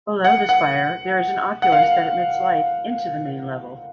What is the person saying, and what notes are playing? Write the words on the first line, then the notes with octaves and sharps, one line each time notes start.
Below the spire, there is an oculus that admits light into the main level.
F#5
F#5
F#5
F5